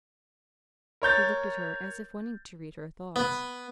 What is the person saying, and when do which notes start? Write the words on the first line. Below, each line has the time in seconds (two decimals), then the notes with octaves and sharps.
He looked at her, as if wanting to read her thoughts.
1.02 A#4 C#5 G6 A6
3.16 B3